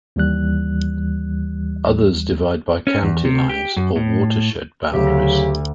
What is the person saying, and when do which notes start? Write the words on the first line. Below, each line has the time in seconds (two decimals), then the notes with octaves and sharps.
Others divide by county lines or watershed boundaries.
0.16 D#2 E3 G3 F#6
2.87 C#4
3.03 E2
3.25 C3
3.49 G4
3.76 F#2
3.96 A2
4.92 D2 C#3 F#3 G4